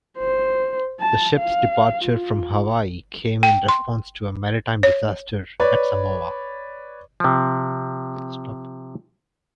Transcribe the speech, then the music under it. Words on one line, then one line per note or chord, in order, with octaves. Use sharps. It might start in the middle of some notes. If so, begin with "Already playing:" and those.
The ship's departure from Hawaii came in response to a maritime disaster at Samoa.
C5
A5
F5
F4
G5
C6
C#5
B4 C#5 D5
C3 F3